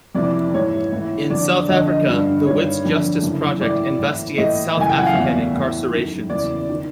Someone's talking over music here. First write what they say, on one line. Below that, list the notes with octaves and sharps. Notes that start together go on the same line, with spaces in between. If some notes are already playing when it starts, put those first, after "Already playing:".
In South Africa, the Wits Justice Project investigates South African incarcerations.
F2 C3 E3 D5
G#2 E3 C#5
A2 E3
F2 D3 D5
F2 D3 D#5
D#5
G2 D3
G2 D#3 C#5
F2 D3
F#2 C#3 E3
A2 E3 D5
A2 E3
A2 E3 D#5
F#2 C#3 E3 G#5
G5
F#5
F5
E2 B2 E5
A2 E3
F#2 D#3
E2 C#3 E3 D5
D#3